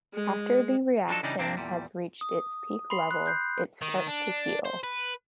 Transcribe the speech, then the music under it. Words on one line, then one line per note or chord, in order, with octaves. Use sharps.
After the reaction has reached its peak level, it starts to heal.
G#3
F3 F#3 D4 D#4 A4
C#3 E3 G3 D4 D#4
G2 C3 A#3 C4 D4
E2 A#2 G3
D#6
B5 C6 C7
F#6
F#6 G6 C7
D#3
D4
C5
B4